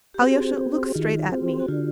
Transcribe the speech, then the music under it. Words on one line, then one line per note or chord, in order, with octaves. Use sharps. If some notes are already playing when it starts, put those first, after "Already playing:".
Alyosha, look straight at me!
G4
C4 F#4 G#4
C4
D#3 F4 G4
C4
F#4
D3 F4 G4